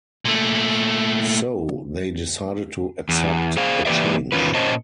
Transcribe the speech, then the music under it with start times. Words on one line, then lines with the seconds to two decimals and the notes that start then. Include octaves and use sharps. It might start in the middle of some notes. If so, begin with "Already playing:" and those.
So, they decided to accept a change.
0.25 A#2 A3
3.09 E2
3.57 G#4 C5 F5
3.85 E3 A#3 G4 B4 D5 E5
4.32 E2 D#3 B3 C#4 F4 B4
4.54 A#2 C#4 C5 D#5 A5